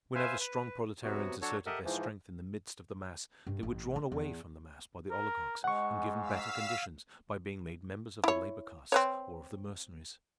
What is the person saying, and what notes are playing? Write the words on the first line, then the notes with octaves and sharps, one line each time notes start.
Whenever strong proletarians asserted their strength in the midst of the mass, they were drawn away from the mass by the oligarchs and given better conditions by being made members of the labor castes or of the Mercenaries.
B4 C5 E5 F5 G#5
B4
C3 F#3 B3 F#4
F#3 D4 F#4 A4 C#5
G4 A4 A#4 D#5 E5 F#5
G#2 E3 F3
G2
A1
D#4
E2
A#4
G#2 G#3 F#5 C#6
F5 E6 B6
G3
E4 C#5
C4 B4 C#5